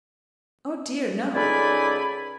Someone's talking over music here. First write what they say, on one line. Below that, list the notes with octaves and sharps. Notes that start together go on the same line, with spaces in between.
"Oh dear, no!"
C#2 D#4 A4 D5 G#5 B5